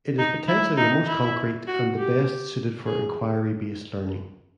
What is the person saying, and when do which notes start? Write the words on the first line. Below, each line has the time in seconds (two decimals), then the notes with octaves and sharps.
It is potentially the most concrete and the best suited for inquiry-based learning.
0.18 D#4
0.48 E4
0.77 D#4
1.07 E4
1.67 F#4
1.98 G4
2.86 G#4